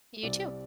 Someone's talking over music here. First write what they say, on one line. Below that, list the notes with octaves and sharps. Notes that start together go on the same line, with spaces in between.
You too.
C2 C3 G3 D5